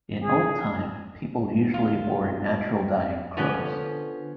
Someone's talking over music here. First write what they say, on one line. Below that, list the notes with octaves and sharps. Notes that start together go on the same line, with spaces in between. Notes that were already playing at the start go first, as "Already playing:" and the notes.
In old time, people usually wore natural dyeing clothes.
G#4
B1 F4
D3 F3 B3 C#4